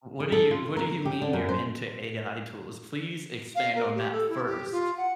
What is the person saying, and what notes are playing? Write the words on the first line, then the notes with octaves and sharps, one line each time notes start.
What do you what do you mean you’re into AI tools? Please expand on that first.
G#4
A4
F4
A#4
G4
D3
F#2
C5
F5
A#4
G4
A4
E4
G4
F4
F#5